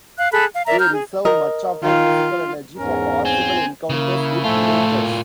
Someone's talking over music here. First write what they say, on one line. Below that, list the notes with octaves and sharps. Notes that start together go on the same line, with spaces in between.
They reserve much of their physical energy for possible encounters with predators.
F5 F#6
G#4 A4 B5 F#6
F5
A#4 D5 E5 A#5
A#5 F6 G6
G#4
A#4 D#5
D#3 F4
E2 G#2 C#4 A#4
C4 G#5
C#3 A#3 E4
A2 F3 A3 F4 E5 G#5
A#2